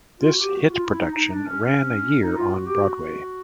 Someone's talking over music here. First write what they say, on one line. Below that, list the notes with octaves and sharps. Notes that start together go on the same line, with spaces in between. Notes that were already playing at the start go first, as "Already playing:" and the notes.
This hit production ran a year on Broadway.
F4
F#4
G4
F#4
F4
E4
D#4
D#4
D4
C#4
C#4
D#4
F4
F#4
G4
F#4